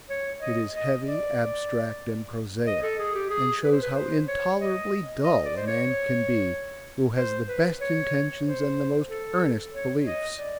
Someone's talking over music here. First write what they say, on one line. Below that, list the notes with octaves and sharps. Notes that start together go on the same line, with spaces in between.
It is heavy, abstract and prosaic, and shows how intolerably dull a man can be who has the best intentions and the most earnest beliefs.
C#5
D#5
D#5
D5
D#5
A4
G#4
G4
G#4
B4
C5
B4
C5
C#5
D#5
D#5
D5
C5
C#5
C5
B4
C#5
C5
A4
C#5
D#5
D5